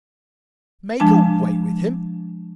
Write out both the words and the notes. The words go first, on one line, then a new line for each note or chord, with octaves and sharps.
Make away with him!
F3 G#3 D4 A5